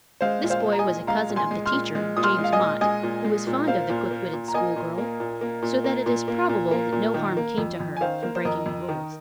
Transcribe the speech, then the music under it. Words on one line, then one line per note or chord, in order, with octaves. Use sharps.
This boy was a cousin of the teacher, James Mott, who was fond of the quick-witted school-girl, so that it is probable that no harm came to her from breaking the rules.
G#3 C5 F5
A#2
C5 F5
G#3
A#5
D#5 G#5
A#2
G#3 F5 A#5
A#2
G#5 C6
G#3
C6 F6
A#2
G#3
A#2 D#6
C6 F6
G#3
F5
D#5 G#5
A#2
G#3 D#5 G#5
A#2
G#3
A#2
A#3 C5 F5
A#2
A#3
A#2
A#5
A#3 D#5 G#5
A#2
A#3
A#2
A#3
A#2
A#3
A#2
A#3
A#2
A#3
A#2
D#3
A#3
F2
F2
G#5
D#3 C5 F5
A#3
C5
F2 A#4 D#5
F2
D#3